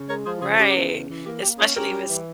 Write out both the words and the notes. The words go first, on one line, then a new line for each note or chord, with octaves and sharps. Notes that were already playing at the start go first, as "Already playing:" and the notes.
Right, especially if it's
Already playing: C#3
G#3 A#4 C#5
F3 G#4 C5
C#3 F4 G#4
C#3 G4
E2
C#3
E3
A#3 G4
A#3 G4
C#4 F4 G#4
C#4 G4 A#4
G3
E3